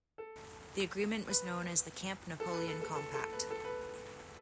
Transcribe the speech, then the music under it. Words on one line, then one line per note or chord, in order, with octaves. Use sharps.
The agreement was known as the Camp Napoleon Compact.
A4
B4
A4
B4
A4
A4
A4
A4
B4
A4
B4